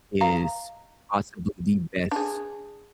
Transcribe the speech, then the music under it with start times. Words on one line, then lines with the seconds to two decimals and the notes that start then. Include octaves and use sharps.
is possibly the best
0.21 D#5 F5 A#5
2.11 D4 G#4